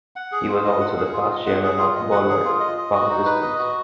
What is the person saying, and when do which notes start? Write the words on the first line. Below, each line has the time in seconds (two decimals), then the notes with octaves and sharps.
He was also the Past Chairman of Ballard Power Systems.
0.16 F#5
0.32 G#4
0.49 F4
0.64 D#5
0.81 F#5
0.97 G#4
1.13 F4
1.30 D#5
1.47 F#5
1.63 G#4
1.78 F4
1.95 D#5
2.11 F#5
2.29 G#4
2.45 F4
2.60 D#5
2.78 D#5
2.94 F#4
3.10 D#4
3.26 B4
3.42 D#5
3.59 F#4